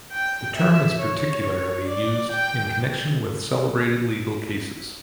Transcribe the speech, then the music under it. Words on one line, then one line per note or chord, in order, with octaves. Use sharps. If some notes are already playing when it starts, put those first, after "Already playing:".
The term is particularly used in connection with celebrated legal cases.
G5
E5
C#5
D5
G5